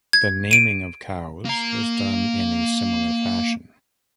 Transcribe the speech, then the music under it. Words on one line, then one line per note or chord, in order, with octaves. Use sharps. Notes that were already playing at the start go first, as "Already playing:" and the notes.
The naming of Cowes was done in a similar fashion.
G#6
D7 D#7
A#3 A#5